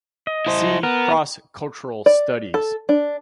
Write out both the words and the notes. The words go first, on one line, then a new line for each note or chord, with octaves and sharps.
See Cross-cultural studies.
D#5
E4 C5
B3 A#4
D5
A4
D4